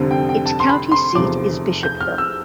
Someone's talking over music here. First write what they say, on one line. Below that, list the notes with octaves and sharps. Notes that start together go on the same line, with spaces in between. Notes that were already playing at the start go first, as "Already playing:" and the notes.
Its county seat is Bishopville.
Already playing: F1 F2 D3 G3 C4
G5
G5
A5
C6
B5
C6
F1 E2 C3 F3 D6
G6
F6
E6